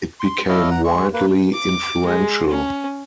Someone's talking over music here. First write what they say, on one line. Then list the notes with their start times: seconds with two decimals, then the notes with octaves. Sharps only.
It became widely influential.
0.20 C6
0.49 E4 A4 C#5 D#5 F5
0.71 F#5 A#5
0.84 G#3 C#6
1.14 A#3 B4
1.53 D6
2.06 G#3
2.48 C#4